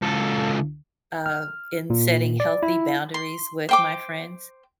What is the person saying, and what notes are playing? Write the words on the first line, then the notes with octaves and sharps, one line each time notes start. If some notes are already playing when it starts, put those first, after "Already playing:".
uh, in setting healthy boundaries with my friends.
C#2 A4
F6
A#2
D5
E4
C6
C5 G5 D6